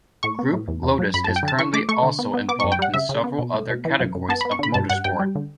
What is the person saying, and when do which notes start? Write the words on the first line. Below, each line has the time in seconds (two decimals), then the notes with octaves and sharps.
Group Lotus is currently also involved in several other categories of motorsport.
0.23 A2 C#6
0.39 B3
0.53 A2
0.68 E2
0.83 E2
0.99 F#3
1.14 F#2 B5
1.24 F#2 A5
1.36 G5
1.43 D3 A5
1.59 E3 C#6
1.73 A3 D6
1.89 A3 C#6
2.03 D3
2.19 B3
2.34 B3
2.49 B3 D6
2.60 F#2 C#6
2.72 G5
2.79 G3 F#5
2.94 C#3 E5
3.09 C#3
3.24 B3
3.39 B2
3.54 A3
3.70 B2
3.85 E3
4.00 F#2
4.15 F#2
4.29 B3 A5
4.41 B3 B5
4.51 C#6
4.59 D3 B5
4.74 G2 A5
4.90 G2 F#5
5.04 G2 G5
5.19 G3
5.35 D3